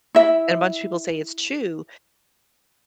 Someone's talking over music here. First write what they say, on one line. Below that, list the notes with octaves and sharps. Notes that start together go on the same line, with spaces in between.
and a bunch of people say it's true,
E4 E5